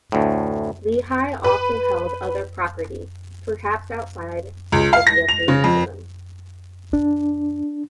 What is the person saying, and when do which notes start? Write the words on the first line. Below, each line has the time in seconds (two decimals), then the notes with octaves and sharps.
Lehi also held other property, perhaps outside the city of Jerusalem.
0.12 D2 A2
1.44 B4
4.72 C#2
4.93 F5
5.07 A#6
5.29 F7
5.48 C#3
5.64 F2
6.93 D4